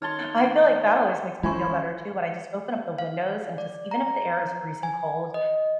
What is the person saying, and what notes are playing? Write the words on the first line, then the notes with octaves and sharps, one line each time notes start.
I feel like that always makes me feel better too when I just open up the windows and just even if the air is freezing cold,
D#3 C#5 A5 C6 F6 G7
F#2 E3 E4 F4 C5 G#5 C#6
F5
D5
A#5
G#5
D#5